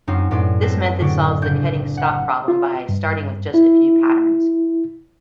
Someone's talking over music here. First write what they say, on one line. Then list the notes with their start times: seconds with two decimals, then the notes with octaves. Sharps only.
This method solves the cutting-stock problem by starting with just a few patterns.
0.07 F#2 C4 C#4 D#4 F4
0.31 F#2 A2 B4 D5 C6
0.62 C4 B4 A5 A#6
0.99 A2 D3 F#4 D5
1.42 F#1 D4 G6
1.97 F#5
2.48 F4
2.89 G2
3.54 E4